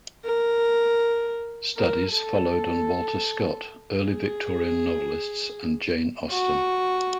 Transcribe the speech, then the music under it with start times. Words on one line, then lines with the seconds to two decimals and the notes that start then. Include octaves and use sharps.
Studies followed on Walter Scott, early Victorian novelists and Jane Austen.
0.25 A#4
1.77 A#4
2.14 A4
4.04 G#4
6.31 F#4